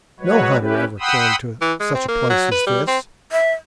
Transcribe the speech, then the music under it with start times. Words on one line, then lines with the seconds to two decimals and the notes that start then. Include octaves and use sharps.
No hunter ever came to such a place as this.
0.20 F#3 G#3 F#4 B4 C#5
0.59 C#4 E4 G4 B4
1.00 F#5 G5 B5 C6 D#6 E6
1.61 E3
1.80 G#3
1.95 C4
2.08 A#3
2.30 F#3
2.52 B4
2.67 G3
2.87 C4
3.32 E5